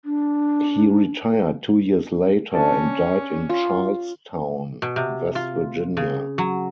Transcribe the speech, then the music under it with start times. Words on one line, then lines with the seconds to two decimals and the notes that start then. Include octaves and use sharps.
He retired two years later and died in Charles Town, West Virginia.
0.05 D4
2.54 C#4 D4 A4 A5
3.49 F4
4.82 B2
4.96 C3
5.35 F4
5.97 C#3
6.38 F#3